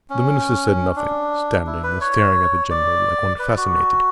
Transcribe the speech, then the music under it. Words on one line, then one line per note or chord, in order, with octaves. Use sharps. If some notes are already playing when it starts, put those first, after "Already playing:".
The minister said nothing, standing and staring at the general like one fascinated.
C#4
D4
E4
B4
C#5
D5
B4
F#4